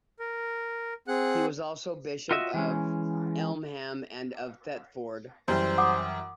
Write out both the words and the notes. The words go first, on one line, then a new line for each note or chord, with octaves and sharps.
He was also bishop of Elmham and of Thetford.
A#4
C4 G#4 F#5 F#6
F4 F#4 D#5 E5
E3 G#3 C#4
F#2 E3 G3 C5
F#5 D6 D#6